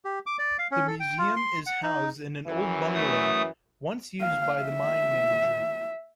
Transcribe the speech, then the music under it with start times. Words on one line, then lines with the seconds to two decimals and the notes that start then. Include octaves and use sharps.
The museum is housed in an old bungalow once used by the mine manager.
0.05 G4
0.26 D6
0.39 D5
0.59 F5
0.71 C#4
0.87 A4
1.00 G5
1.18 F4
1.36 C6
1.66 F#5
1.83 D#4
2.46 F#2 E3
2.94 A3 D#6
4.21 F5
4.63 E5